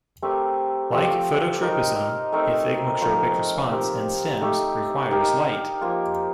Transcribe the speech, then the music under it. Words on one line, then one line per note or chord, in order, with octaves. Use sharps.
Like phototropism, a thigmotropic response in stems requires light.
A3 C4 G4 A#4
F3 A3 C4 G4
D#4 A#4 D#5
A3 C4 D#4 A#4
F3 A3 D#4 A#4
F3 C4 G4 A#4
A3 D#4 G4
D#4 G4 A#4 F5
F3 A#3 F4